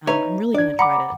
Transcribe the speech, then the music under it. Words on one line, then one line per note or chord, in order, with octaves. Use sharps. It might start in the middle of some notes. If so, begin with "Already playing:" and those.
Um, I'm really gonna try to
D#4 B4 C#5 E5 A#5
D4 D5 G#6
F#5 A#5 B5 D6